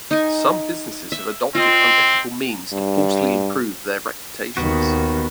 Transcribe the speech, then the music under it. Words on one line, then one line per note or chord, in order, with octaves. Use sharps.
Some businesses have adopted unethical means to falsely improve their reputations.
D#4 G#5
E5
C4 F4 D#5
G2
D#2 D#3 B3 F#4